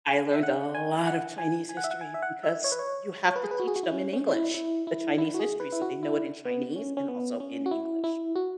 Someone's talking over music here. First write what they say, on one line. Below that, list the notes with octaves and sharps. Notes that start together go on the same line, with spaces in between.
I learned a lot of Chinese history because you have to teach them in English. The Chinese history, so they know it in Chinese and also in English.
G#5
E5
F#5
G#5
F#5
G#5
G#5
F#5
E5
F#5
G#5
E5
F#5
E5
C#5
B4
C#5
C#5
B4
G#4
B4
F#4
G#4
F#4
E4
C#4
C#4
E4
E4
E4
E4
F#4
G#4
B4
E4
F#4
E4
B3
C#4
C#4
B3
C#4
F#4
E4
E4
F#4